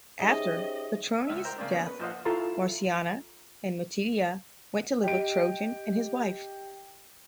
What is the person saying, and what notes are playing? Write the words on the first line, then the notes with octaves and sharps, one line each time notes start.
After Patruinus' death, Marciana and Matidia went to live with Trajan and his wife.
C#4 D#4 G4 G#4 C5 D#5 E5
C#2 E5
A#4 C5 G5 A#5
C#3 A#3 C4 D4
B3 C#4
B4
A#1 F3 C5 D#5 F5 F#5
E4 F4 A4 A5 A#5 C6
G4 D#5 D7